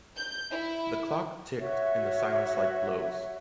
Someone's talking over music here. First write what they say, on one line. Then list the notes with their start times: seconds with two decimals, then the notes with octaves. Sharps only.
The clock ticked in the silence like blows.
0.17 G6
0.51 E4
1.59 F#4 C#5 E5